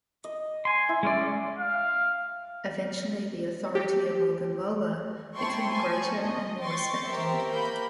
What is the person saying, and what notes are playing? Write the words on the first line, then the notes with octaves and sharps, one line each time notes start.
Eventually the authority of Ogunlola became greater and more respected.
D#5
G#5 C6
E4
G#3 C#4 D5
F5
G4
E4 C5 G5 A5 C6 C#6
G#5 A5 C#6
D#5
G5 C6 C#6 A6
G4 A#4 C5 E5
A#3 B5 G6